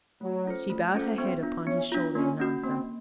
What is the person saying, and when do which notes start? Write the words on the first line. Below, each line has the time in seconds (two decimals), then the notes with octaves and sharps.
She bowed her head upon his shoulder in answer.
0.21 F#3 A3
0.45 C#4 F4 A4 C5
0.70 A3
0.94 C#4 F4 A4 C5
1.18 B3 C4
1.43 D4 F4
1.67 B3 C#4
1.92 D4 F4
2.15 A#3 C#4
2.40 C#4 F#4
2.63 A#3 C4